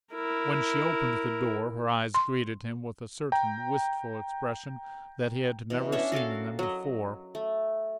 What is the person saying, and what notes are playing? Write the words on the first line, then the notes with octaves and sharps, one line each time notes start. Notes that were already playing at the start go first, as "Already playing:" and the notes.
When she opened the door her eyes greeted him with a certain wistful expression that he had never seen in them before.
E4 A#4
C6
G5 A#5
B2 E3
C#4 D4 C#5 E5
F#4 A4 A#4 F5
F#3 D#5
A3